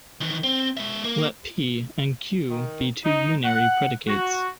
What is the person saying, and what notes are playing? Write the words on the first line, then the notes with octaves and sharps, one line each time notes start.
Let "p" and "q" be two unary predicates.
D#3 E3
C4
G#3 E5
A#3
D#3
D#4
F#5
F#4